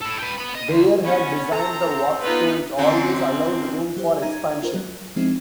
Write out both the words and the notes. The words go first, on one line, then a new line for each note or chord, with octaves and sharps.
Beyer had designed the works so it always allowed room for expansion.
E4 A4
B4 G5
B3 B5
D#5
D2
B3 C#4
C4 A4 A#5
B3 D#4 F4 B4
F#2 D3 F#3 C4
F#3 G4 C5
D#4 A#4 A#5 G#6
F4 A#4 C5
F#3
F3 G#3 C4 D#4 E4